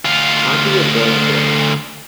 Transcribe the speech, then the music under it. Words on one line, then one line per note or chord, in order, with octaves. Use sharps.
Conti was born in Florence.
D2 F4